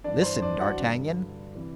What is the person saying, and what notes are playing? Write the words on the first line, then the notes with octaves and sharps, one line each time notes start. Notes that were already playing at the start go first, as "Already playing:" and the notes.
Listen, D'Artagnan.
G2 E3 D4 D5
C5 C6
D4 D5
F#4 F#5
G2 D3
C3 E3